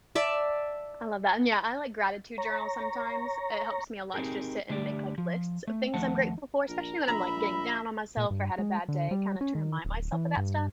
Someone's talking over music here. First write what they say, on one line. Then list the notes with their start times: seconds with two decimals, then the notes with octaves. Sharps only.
I love that, and yeah, I like gratitude journals sometimes, it helps me a lot to just sit and make, like, lists of things I'm grateful for, especially when I'm, like, getting down on myself, or had a bad day, kinda to remind myself of that stuff.
0.15 D5 E5 A5
2.38 C#5 A#5
4.14 C4 D#4 G4 G#4 A#4
4.70 D3 A3 G4 D5
5.18 F3
5.67 A3
5.94 D#2 F3 A3 F#5 A5
6.68 A#1 A#4
7.08 A#1 E5 A#5 B5
8.17 A#2
8.31 G2
8.59 G#3
8.88 D3
9.11 G3
9.41 C#4
9.55 D#3
9.85 D1
10.12 E3
10.37 G2